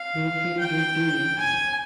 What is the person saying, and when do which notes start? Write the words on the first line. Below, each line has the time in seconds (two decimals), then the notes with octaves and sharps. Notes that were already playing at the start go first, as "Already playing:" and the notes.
You feel guilty.
Already playing: F5
0.59 G5
1.38 G#5